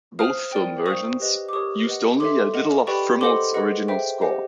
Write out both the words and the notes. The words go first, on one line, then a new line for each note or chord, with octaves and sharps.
Both film versions used only a little of Friml's original score.
C5 F5 D#6 F6
A#4 D5 G5
C5 F5 C#6 D#6
G4 B4 D#5
D6
G4 A#4 C#5 C#6 D#6
B4 D#5 F#5
A4 C#5 E5 C6 D6
A#4 D#5 F#5
G4 B4 D5 G5 B5 C#6
A4 C5 D#5 F#5 C6 D6
G#4 B4 D#5 F#5
C5 E5 G5
G4 C5 D#5 F#5